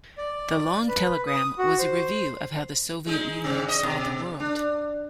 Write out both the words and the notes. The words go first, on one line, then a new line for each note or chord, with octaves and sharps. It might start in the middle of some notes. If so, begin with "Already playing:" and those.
The "Long Telegram" was a review of how the Soviet Union saw the world.
D5
B4
D#6
F#4
C5
G#3 D#4
G#2 C3
D#5
B2
D4